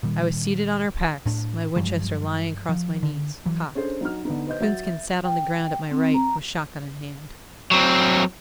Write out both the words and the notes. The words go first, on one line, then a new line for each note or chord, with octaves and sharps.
I was seated on our packs, my Winchester lying across my knees, cocked; Coonskin sat on the ground at my right, with shot-gun in hand.
A#2 D#3 G3
A2 D4
G2 F3 F#3 G#3
F3
D3
E3 F#3
C#4 D4 G#4 A4 C5
F#3 D#4 F6
D3 B3 D#4
B4 C5 D#5 G6
F#3 E5 A6
E5
G5
C4
A#5
F#3 C4